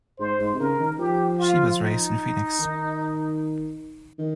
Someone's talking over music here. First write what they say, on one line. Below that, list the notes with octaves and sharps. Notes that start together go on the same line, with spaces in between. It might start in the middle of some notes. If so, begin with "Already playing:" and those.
She was raised in Phoenix.
G#2 C5
G#2
C3
C#3 A#4
D#3
F3 G4
F4
D#4
D#3
D#3